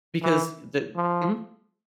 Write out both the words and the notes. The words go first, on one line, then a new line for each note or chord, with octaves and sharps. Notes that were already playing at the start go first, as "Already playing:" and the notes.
because the mhm.
E3
F3